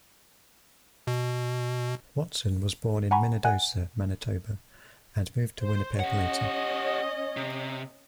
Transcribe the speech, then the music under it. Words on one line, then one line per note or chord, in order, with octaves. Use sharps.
Watson was born in Minnedosa, Manitoba and moved to Winnipeg later.
B2
F#5 G#5 A#5 B5 C#6
D#5 F#5 G#5 F#6
C5
C#4 G4 C#5 D#5 F#5
C3